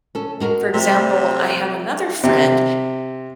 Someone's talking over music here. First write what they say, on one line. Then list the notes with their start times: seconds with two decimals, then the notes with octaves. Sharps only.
For example, I have another friend
0.15 C#4 A4
0.40 G#3 F#4 A#4
0.74 C3 A3
2.24 C3